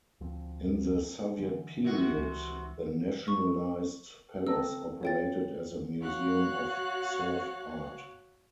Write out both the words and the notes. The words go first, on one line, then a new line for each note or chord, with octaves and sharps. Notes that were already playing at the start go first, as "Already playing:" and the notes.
In the Soviet period the nationalized palace operated as a museum of serf art.
D2 F3 C4
D3 E3
C3 F#4
C#2 E3
C#6
C4 A4 A#5 E6
F4 C#5 G5 A6
F#4 C#5 F5 F#6